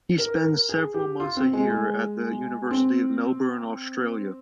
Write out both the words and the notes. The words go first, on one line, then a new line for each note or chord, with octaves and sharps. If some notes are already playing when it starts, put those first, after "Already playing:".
He spends several months a year at the University of Melbourne, Australia.
A#4
A#4
G#4
G4
F4
C4
G#3
G#3
C4